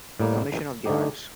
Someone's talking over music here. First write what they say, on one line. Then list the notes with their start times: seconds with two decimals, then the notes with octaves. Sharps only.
Commission on the Arts.
0.20 A2 G3 A#3
0.86 D3 A3 D#4 G4